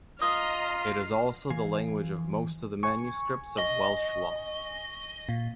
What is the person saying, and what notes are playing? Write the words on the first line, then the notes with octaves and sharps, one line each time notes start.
It is also the language of most of the manuscripts of Welsh law.
F4 D#5 A#5 D#6 F6 C7
E3 F5 G#5
G#5 C#6
D#5
A#2